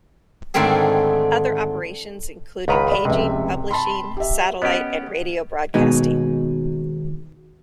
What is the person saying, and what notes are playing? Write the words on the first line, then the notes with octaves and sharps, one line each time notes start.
Other operations included paging, publishing, satellite, and radio broadcasting.
G#2 D3 D#3 A3 C4 G#4
C#2 D#3 B4 F#5 A#5 B5
D5 B5
F1 C#2 C3 E5
A5 B5 C6
G4 E5
B3 C#4 G4 D#5 F#5
D#2 B2 G#3 B3 D#4